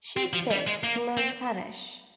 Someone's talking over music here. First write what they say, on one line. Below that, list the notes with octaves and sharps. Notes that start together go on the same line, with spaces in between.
She speaks fluent Spanish.
C4
F3
G3
G#3
A#3
C4